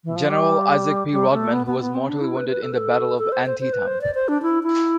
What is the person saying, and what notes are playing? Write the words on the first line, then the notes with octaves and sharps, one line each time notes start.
General Isaac P. Rodman, who was mortally wounded at the Battle of Antietam.
E3
F3
G3
G3
A3
B3
B3
B3
C4
D4
E4
B4
B4
A4
B4
A4
A4
C5
C5
C5
B4
C5
D5
C5
D4
E4
E4